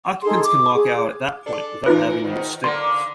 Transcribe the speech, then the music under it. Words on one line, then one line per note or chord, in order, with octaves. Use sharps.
Occupants can walk out at that point without having to use stairs.
D#4 G#4 A4 C6
D6
G#4
D4 A4
E3 D#4 F4 A#4 B4
G#2 D#3
D3 A#3 C6